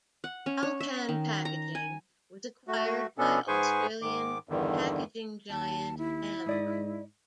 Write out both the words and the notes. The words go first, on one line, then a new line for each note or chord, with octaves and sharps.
Alcan Packaging was acquired by Australian packaging giant Amcor.
F#5
C#4
C#5
E5
D#3
A#5
G#5
A3 F#4
B2 B3 C#4 D4 A4
G#2 G#4 B4 C5 G#5 C#6
G#2 D#3 D6
E2 G2 D3 D#3
D#2 G4 A5
E4
G#2 G#4 D5 D#5